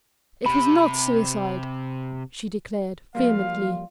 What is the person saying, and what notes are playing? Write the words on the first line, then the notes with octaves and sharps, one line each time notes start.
"It was not suicide," she declared, vehemently.
C3 B5
F3 G3 A#3 F4 F5